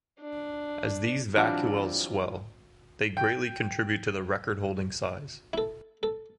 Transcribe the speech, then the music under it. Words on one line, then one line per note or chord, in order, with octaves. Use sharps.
As these vacuoles swell, they greatly contribute to the record-holding size.
D4
E3 F#3 G3 C4 D4 F4
G5
E4 A4
A4